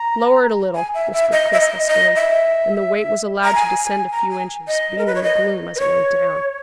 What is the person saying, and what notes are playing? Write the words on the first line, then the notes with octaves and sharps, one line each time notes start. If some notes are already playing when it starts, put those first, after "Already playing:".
"Lower it a little," whispered Chris huskily, and the weight was allowed to descend a few inches, being in the gloom as it went down.
Already playing: A#5
G#5
E5
E5
D#5
E5
D#5
D#5
E5
A#5
G#5
G#5
A#5
G#5
D#5
A#4
B4
C#5
D#5
B4
C#5